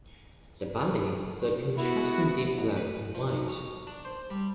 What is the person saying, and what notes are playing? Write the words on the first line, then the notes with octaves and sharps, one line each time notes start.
The body is a contrasting deep black and white.
B3 E4 F#4
A1
B4
F3
B1
C#5
D4
C5
G3